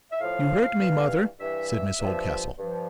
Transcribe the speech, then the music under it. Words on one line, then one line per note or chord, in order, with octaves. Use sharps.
"You hurt me, mother," said Miss Oldcastle.
E5
A2 F3 F5
G2 E3
G2 E3 E5
E5
G2 F3
G2 F3